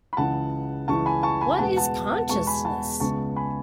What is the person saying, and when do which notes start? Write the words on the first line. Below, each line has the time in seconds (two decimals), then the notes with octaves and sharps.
What is consciousness?
0.13 B5
0.17 C#2 C#3 E3 F#5 A5
0.88 C#2 C#3 E3 A5 C#6
1.06 G#5 B5
1.23 A5 C#6
1.41 G#5 B5
1.59 E2 B2 G#3 B3 F#5 A5
1.76 F#5 A5
2.12 F#5 A5
2.29 E2 B2 G#3 B3 A5 C#6
2.47 G#5 B5
2.65 F#5 A5
3.00 C#2 C#3 G#3 B3 A5 C#6
3.36 G#5 B5